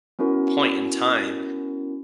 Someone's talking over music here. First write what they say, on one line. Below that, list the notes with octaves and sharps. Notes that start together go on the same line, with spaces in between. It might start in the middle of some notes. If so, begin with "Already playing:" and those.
point in time
B3 C#4 E4 F#4 A#4